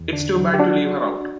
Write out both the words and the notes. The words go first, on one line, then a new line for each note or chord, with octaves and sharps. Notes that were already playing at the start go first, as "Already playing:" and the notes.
It's too bad to leave her out.
Already playing: E2
D3 D4
F#3
G4
D4 F#4